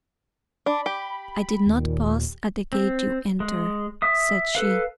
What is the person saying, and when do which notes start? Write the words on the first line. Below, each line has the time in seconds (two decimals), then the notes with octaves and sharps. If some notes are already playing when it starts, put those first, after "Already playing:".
"I did not pause at the gate you entered," said she.
0.66 D4 B5
0.86 G4
1.66 D#2 A#2
2.73 C4
3.40 G#3
4.02 E5 D#6
4.55 A4 B4 F5